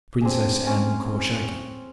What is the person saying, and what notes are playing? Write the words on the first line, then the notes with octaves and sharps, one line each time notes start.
Princess M. Korchagin.
C4 D4 G#4
C4 C#4